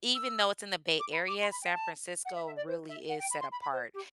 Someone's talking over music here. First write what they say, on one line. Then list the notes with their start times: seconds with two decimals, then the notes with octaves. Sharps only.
even though it's in the Bay Area, San Francisco really is set apart.
0.15 E6
1.00 D6
1.13 B5
1.28 D6
1.41 C6
1.51 B5
1.62 G5
1.73 A5
2.25 F#5
2.35 E5
2.46 E5
2.56 D5
2.67 C5
2.89 E5
3.09 F#5
3.19 G5
3.31 B5
3.41 C6
3.52 B5
3.62 B5
3.73 C5
3.94 G4